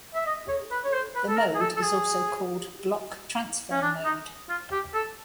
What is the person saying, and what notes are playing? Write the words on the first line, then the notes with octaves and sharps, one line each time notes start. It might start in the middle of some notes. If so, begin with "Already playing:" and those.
The mode is also called "Block Transfer Mode".
E5
D#5
C#5
B4
C#5
C5
B4
A4
A#4
G#4
A4
A4
G#4
C#4
D4
D#4
F4
G4
A4